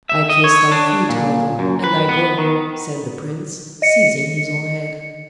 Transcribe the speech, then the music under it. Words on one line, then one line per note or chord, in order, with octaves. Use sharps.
"I kiss thy feet, mother, and I go," said the prince, seizing his own head.
E5
D#5
C#5
D4
A#2
F#2
B4
B3
D#3
D#5 C#7